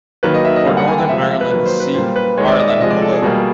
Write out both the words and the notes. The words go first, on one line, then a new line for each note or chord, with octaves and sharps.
For Northern Ireland, see Ireland below.
D#3 F#3 A#3 B4
D#5
E5
D#5
D3 G3 A#3 F5
F#5
G#5
G5
C3 F3 G#3 E5
F5
E5
B4
D#3 F#3 A#3 B4
C5
B4
A#2 G3 A#3 C5
B4
D#3 G#3 C#5
D5
D#5
E5
C3 F3 G#3 D#5
D5
A4
G#4
B2 G3 A#3